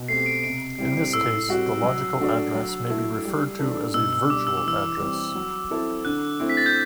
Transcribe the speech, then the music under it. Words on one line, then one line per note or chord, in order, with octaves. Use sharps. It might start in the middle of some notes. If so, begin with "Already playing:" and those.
In this case, the logical address may be referred to as a virtual address.
Already playing: B2
A3 C4 G4 C7
D7
C3 D7
G3 C4 E4 G4
A2 E6
G3 C4 F#4
F#3
A3 D4 F#4
F#3
A3 E4 A4
G3
D4 A4
B2 E6
E6
G3 D4 D6
E6
D6
E3 E6
G3 C4 G4
F#3
C4 E4 A4
D3 F#6
A3 C4 E4
B6
A6
G6